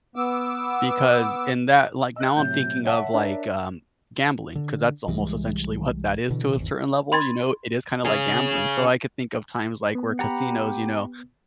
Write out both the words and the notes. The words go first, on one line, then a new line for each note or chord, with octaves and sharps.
Because in that like now I'm thinking of, like, um, gambling 'cause that's almost essentially what that is, to a certain level, you know? It is kinda like gambling. So I could think of times, like, where casinos, you know
B3 D6 E6
D#5 E6 F#6
A2 C3 F#3 G6
C#5 E5 F#5 A5
D4 A#4 C#5
D3
C2 E3 G3 G#3
B2 D3 E3
G#1 E2
B5 C6 G#6 A6
C#4 G#4
B3
G4 F#5 A#5 B5